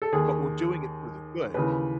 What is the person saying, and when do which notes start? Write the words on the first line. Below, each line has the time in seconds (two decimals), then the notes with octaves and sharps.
but we're doing it for the good.
0.02 A4
0.12 D#2 D#3 G#4
1.54 D#2 C#3 E3 B4